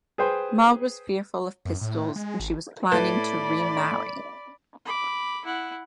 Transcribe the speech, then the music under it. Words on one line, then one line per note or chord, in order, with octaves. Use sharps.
Maude was fearful of pistols and she was planning to remarry.
G#4 B4 C5 G5 C6
F#2
A2
G#3
G#1
A2 B4 D5 B5
B5 D6
E4 F#5